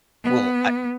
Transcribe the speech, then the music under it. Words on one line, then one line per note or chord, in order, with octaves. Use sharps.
Well, I
B3